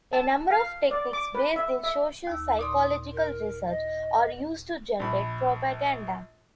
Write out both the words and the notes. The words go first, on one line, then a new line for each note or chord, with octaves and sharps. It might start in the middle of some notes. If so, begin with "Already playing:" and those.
A number of techniques based in social psychological research are used to generate propaganda.
A5
F5
D5
D6
B4
E5
E5
D#2 E6
A#2 D5 C6 D#6
A#4
D#5
A#1 B5